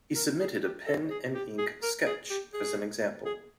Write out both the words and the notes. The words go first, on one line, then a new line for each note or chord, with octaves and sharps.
He submitted a pen-and-ink sketch as an example.
A#4
G#4
G4
A4
G#4
G4
G#4
A#4
G#4
G4
G#4
G#4